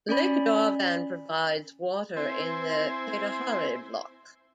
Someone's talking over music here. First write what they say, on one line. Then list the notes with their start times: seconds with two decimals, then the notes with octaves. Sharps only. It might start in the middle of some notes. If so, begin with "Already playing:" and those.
Lake Darvan provides water in the Katehari block.
0.09 C#4 D5 B5
2.17 C4 E4 C5 G#5